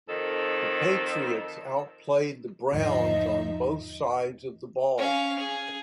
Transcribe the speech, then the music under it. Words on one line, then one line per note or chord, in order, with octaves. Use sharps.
The Patriots outplayed the Browns on both sides of the ball.
F2 D#3 A4
E2 G#2 D3 F3 D#4 D#5 E5
C#4 F5
G#4